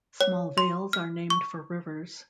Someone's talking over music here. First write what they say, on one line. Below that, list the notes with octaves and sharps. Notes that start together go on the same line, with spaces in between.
Small valles are named for rivers.
C#5
C6
F6
C#6